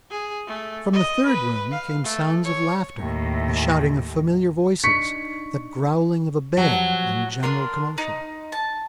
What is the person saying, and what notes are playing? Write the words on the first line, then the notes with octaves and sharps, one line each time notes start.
From the third room came sounds of laughter, the shouting of familiar voices, the growling of a bear, and general commotion.
G#4
A3
D#5
B4
F5
A3
C#5
D#2 A2
D4 D#4 C#6 B6 C#7
F3 F#3 G4
D4 F4 A#4 C6
D#4
A5